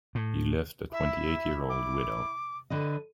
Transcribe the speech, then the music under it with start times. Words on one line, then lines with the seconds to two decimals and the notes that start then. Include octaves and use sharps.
He left a twenty-eight-year-old widow.
0.15 A2
0.93 E4 E5
1.69 D6
2.70 D3 B4 D#5